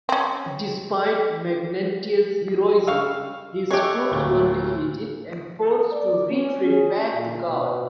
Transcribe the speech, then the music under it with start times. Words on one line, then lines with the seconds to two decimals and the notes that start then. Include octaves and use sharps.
Despite Magnentius' heroism, his troops were defeated and forced to retreat back to Gaul.
0.09 C4 C#4
2.87 G3 F5 C#6 E6
3.71 G#3 A3 G4 C#5 F#6
4.11 D2 A2 A#3
5.92 D5
6.31 C#4
6.67 G#4
7.13 A#2
7.47 B2